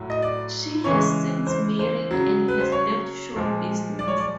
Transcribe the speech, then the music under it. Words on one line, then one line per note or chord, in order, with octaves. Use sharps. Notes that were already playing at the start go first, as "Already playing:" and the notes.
She has since married and has left show business.
Already playing: A2 F#3
D#5
D5
C#3 E3 G#3 C#5
C5
C5
C#3 F#3
B4
C5
C#5
A#2 F3 G#3
D5
C#5
D5